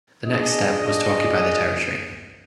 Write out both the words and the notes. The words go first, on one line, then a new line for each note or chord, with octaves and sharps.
The next step was to occupy the territory.
D4 G#4 D#5